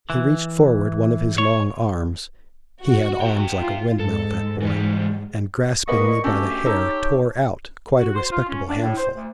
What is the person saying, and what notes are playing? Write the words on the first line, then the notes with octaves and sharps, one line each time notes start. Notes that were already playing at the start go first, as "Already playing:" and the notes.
He reached forward one of his long arms--he had arms like a windmill, that boy--and, grasping me by the hair, tore out quite a respectable handful.
E3
C#5
F#4
E5 G5
F4
G#2 A4
E3 G3
A#2 A#3 B4 D#5 C#6
A3 C#4 D4 F#4 G4 E6
D#4 A4 C#5 E6
F#4
C5
F4
C#4
D4
A2
C5
D2